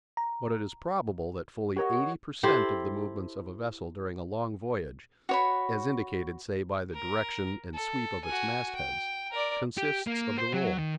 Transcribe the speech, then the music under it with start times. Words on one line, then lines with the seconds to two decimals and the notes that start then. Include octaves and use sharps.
But it is probable that fully eighty per cent. of the movements of a vessel during a long voyage--as indicated, say, by the direction and sweep of its mast-heads--consists of the roll.
0.17 A#5
1.76 F#4 G4 A#4 C#5 D#5
2.43 E4 G4 A4 C5
5.29 F#4 C#5 B5
6.93 A#4
7.74 A4
8.25 F#4 G#5
8.76 G5
9.31 A#4 D5
9.77 G4
10.07 A#3
10.38 C5
10.54 F#3
10.78 D#3